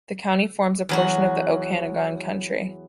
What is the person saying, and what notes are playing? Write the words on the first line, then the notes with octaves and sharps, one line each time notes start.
The county forms a portion of the Okanogan Country.
E2 F#3 F#4